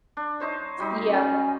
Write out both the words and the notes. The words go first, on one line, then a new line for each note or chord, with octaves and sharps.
S yeah,
D4
D#4 C5 C#5
F#3 G3 D#4
C#4